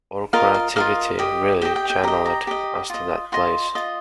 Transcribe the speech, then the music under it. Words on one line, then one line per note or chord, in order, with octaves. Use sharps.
Our creativity really channeled us to that place.
F4 A#4 D#5 F5
F5
F4 A#4 D#5 F5
G4 D#5
G4 D#5 G5
G5
G5
G4 D#5 A#5
A#5
G4 D#5
F4 D#5
F4 D#5 C6
F4 D#5